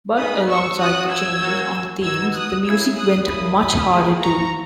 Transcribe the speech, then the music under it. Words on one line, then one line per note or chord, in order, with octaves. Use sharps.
But, alongside the changes on themes, the music went much harder, too.
B3 D#4 G#4 B5 D#6
C#6 E6
C#4 F#4 D#6 F#6
E6 G#6
A#3 C#4 F#4
B3 D#4 F#4 E6 G#6
D#6 F#6
A#3 C#4 E4 G#4 E6 G#6
D#6 F#6
A#3 C#4 E4 B5 D#6
B5 D#6
A#3 E4 G#4
A#5 C#6